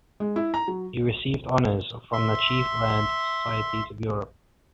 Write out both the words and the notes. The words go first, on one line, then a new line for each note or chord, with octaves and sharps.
He received honours from the chief learned societies of Europe.
G#3
E4
A#5
F#3
E5 C6